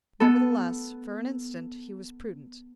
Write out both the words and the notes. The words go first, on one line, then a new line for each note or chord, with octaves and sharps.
Nevertheless, for an instant, he was prudent.
B3 A4